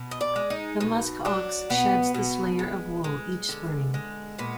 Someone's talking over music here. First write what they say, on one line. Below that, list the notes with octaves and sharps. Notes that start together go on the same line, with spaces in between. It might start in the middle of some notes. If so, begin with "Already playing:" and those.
The muskox sheds this layer of wool each spring.
Already playing: B2
D#5
D5
G#3
D#4
B2 D#4
F#3 D4
B2 B3
B2
G#3
G#3
D3
G#3
A#2 B3